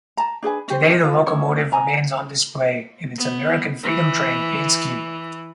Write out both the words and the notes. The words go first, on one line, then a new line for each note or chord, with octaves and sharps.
Today the locomotive remains on display in its American Freedom Train paint scheme.
A5 A#5
D4 G#4 B4 G#5
C#4 G4 C5
F4
C#4 E4 C#5
D#5 G#5 A#5
B3
E3